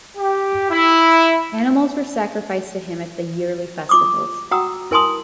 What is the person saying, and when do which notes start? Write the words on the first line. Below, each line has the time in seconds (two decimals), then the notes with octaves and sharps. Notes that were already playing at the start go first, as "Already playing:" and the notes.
Animals were sacrificed to him at the yearly festivals.
0.16 G4
0.70 E4
3.89 F4 D6 D#6
4.51 F#4 F#5 G5 A#5 D#6 E6
4.91 E4 A#4 G#5 A5 C6 D#6